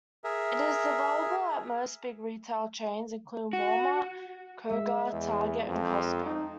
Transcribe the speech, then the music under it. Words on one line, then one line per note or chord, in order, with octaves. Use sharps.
It is available at most big retail chains including Walmart, Kroger, Target, and Costco.
G#4 A#4 E5
F#4
G#3 E5
E2
F2
D#4